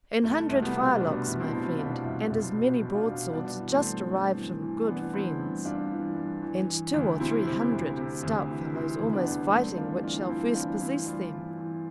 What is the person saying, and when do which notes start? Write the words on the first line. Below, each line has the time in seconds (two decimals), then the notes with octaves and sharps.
An hundred firelocks, my friend, and as many broadswords, just arrived from good friends; and two or three hundred stout fellows almost fighting which shall first possess them.
0.24 C2 A3
0.50 C2
0.62 G3 B3
0.75 B2
1.01 B2 B3 D4
1.27 C2
1.40 C4 E4
1.53 B2
1.78 B2 D4 F4
2.04 C2
2.30 C2
2.56 B2
2.81 B2
2.94 D4 F4
3.07 B2
3.33 G2 B3 D4
3.59 E3
3.72 A3 C4
3.85 G2
4.10 G2
4.36 E3
4.62 E3
4.87 E3 B3 D4
5.14 E3 C4 E4
5.39 G2
5.65 G2 D4 F4
5.91 E3
6.16 G2
6.42 E3
6.68 E3
6.94 D2
7.20 C3 C4 E4
7.45 C3
7.72 D2
7.97 C3
8.23 D2
8.48 E3
8.74 C3 C4 E4
9.00 D2
9.13 B3 D4
9.26 D2
9.52 G2 A3 C4
9.77 E3 D4 F4
10.03 E3 D4 F4
10.22 F4
10.29 G2 C4 E4
10.54 E3 D4 F4
10.80 E3 C4 E4
11.06 G2 D4 F4
11.32 E3
11.58 E3